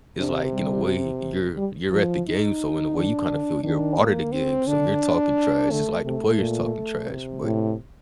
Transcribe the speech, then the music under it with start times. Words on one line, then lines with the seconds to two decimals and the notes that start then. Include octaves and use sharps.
it's, like, in a way you're you're at the game, so in a way you kind of feel you're a part of the game, so you're talking trash. It's, like, the players talking trash, but,
0.18 C3 D4
0.53 G3
1.57 G3
1.91 F3
2.26 D#4
2.95 D#3 D4
3.30 D3
3.63 D#3 D4
3.98 A#3
4.32 C4
4.67 D3 D4
5.71 D3 A3
6.05 C3 A3
6.40 A#2
7.09 C3
7.43 A2